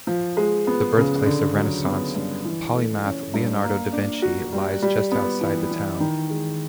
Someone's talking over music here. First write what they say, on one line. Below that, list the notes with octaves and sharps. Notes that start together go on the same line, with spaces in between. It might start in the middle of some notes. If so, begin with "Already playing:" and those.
The birthplace of Renaissance polymath Leonardo da Vinci lies just outside the town.
F3
G#3
B3
C#3
D3
F#3
B3
G2
E3
A3
C#4
G2
A#3
D4
F#4
G3
G3
B3
E3
E3
D#3
G#3